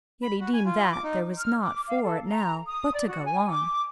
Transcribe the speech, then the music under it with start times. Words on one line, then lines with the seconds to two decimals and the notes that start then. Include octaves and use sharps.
Yet he deemed that there was nought for it now but to go on.
0.23 B5
0.40 F#4
0.53 G#5
0.66 F4
0.92 D6
1.04 D#4
1.38 F6
1.62 D6
1.87 F5
2.03 A4
2.25 A#5
2.66 D#6
2.93 D5
3.06 F#4
3.25 G#5
3.49 D6